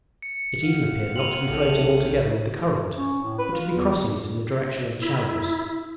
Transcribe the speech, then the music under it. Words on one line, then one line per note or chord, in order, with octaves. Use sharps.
It even appeared not to be floating altogether with the current, but to be crossing it in the direction of the shallows.
C#7
F5 F#5
C4 D#7 F7 F#7
B1 A2
C#4
A2
B4
F4
E2
E4